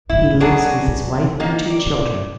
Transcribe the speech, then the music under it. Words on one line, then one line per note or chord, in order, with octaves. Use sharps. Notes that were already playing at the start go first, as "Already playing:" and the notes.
He lives with his wife and two children.
E4
F#3 B3 C#4 D4 F#4 G#4
D#3 A#3 D#4
D5